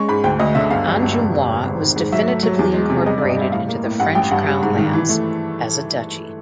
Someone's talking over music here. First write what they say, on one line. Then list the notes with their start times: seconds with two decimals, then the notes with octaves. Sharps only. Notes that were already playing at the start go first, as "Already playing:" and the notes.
Angoumois was definitively incorporated into the French crown lands, as a duchy.
Already playing: G#3 C#4 C#6
0.08 G#2 B5
0.24 D2 G5
0.39 D2 D#5
0.55 D3 E5
0.70 G1 F5
0.87 G2
1.03 G1
1.18 F1
1.34 F1
1.49 F1
1.65 G#1
1.80 D#3
1.96 G#2
2.12 F#3 E5
2.28 A3
2.43 F#3
2.59 E2
2.74 G#3
2.90 C3
3.06 G3 D#5
3.18 D5
3.22 G2
3.29 D#5
3.37 G3 E5
3.52 A2 F5
3.69 A#3
3.84 A2
4.00 G2 F#5
4.15 A1 G5
4.31 G2 F#5
4.47 G3
4.62 G#2
4.78 D#3
4.93 E3
5.09 A3